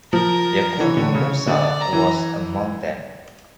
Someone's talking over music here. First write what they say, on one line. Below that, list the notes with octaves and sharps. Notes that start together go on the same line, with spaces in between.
Yakubu Musa was among them.
F3 A#4
E3 C#5
D3
C#3
D3 D5
A#5
E3